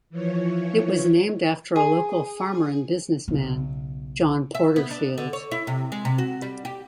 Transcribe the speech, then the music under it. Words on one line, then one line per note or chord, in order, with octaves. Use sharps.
It was named after a local farmer and businessman, John Porterfield.
E3 F3 C#5
G#4
B1 C#3
E5
B3
D4
D3
C#5
E4
C3
G#3
C3
F#4
G3
G4